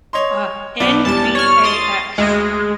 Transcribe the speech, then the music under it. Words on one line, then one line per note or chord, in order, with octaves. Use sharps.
Uh, N-V-A-X.
C#5 D#5 C6
B1 B3 D5
E2 G3 A5 A6
C#5 F6
C6 D#6 A6
D2 G#3